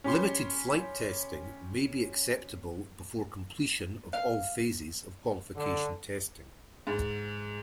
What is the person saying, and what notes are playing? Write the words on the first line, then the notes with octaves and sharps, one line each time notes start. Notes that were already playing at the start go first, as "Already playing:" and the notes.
Limited flight testing may be acceptable before completion of all phases of Qualification Testing.
C#4 G4 B5 C6
F5
D3
G#2